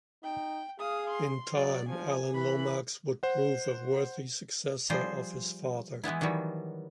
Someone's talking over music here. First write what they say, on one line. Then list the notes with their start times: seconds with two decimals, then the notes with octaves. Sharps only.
In time, Alan Lomax would prove a worthy successor of his father.
0.23 D#4 G5
0.79 G#4 F5 D#6
1.10 C6
1.54 F#3 D5
1.89 F3 G#5
2.34 E3 B5 F#6
3.23 C5 F#5
4.90 F3 G3 G#4 C5
6.04 E3 G#3 B3 E4
6.21 D#3 E3 F#3 G3